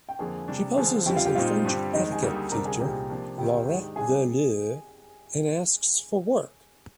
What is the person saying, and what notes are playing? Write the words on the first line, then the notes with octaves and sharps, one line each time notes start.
She poses as a French etiquette teacher, Laurette Voleur, and asks for work.
G5
F2 D3 F3 A#3 G#4 G#5
C3 G3 D4
D#2 D3 F3 C4 G#4 G#5
F2 D3 G3 G4 G5
F4 F5
G4 G5
A#2 G3 C4 D#4 F4 F5
G2 D3 G3 C4
F2 D#3 G#3 D#4 D#5
G#4 G#5
D2 D3 G3 A#3 D#4
D2 C3 G3 D4 A#4 A#5
G#4 G#5
C2 A#2 G3 C4 D#4 G4 G5
C3 F3 A#3 D4
D2 C3 D#3 G4 G5
G#2 D#3 G#3 D4
C3 G3 D4 G#4 G#5